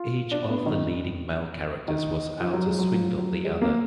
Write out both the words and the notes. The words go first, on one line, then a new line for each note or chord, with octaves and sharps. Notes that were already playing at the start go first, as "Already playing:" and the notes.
Each of the leading male characters was out to swindle the other.
Already playing: F4
D4
B3
D#3
D#3
F3
F#3
G#3
F#3
F3
F#3
G#3
A#3